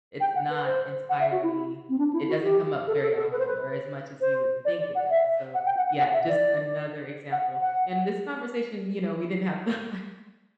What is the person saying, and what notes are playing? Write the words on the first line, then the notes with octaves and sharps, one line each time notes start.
it's not entirely it doesn't come up very often or as much as you would think it does, so, yeah, just another example. In this conversation, you know, we didn't have to, like
G5
F#5
B4
C5
F#5
E5
F#4
E4
C4
D4
E4
F#4
G4
A4
A4
A4
B4
C5
B4
C5
D5
D5
F#5
E5
F#5
G5
F#5
F#5
F#5
E5
D5
F#5
F#5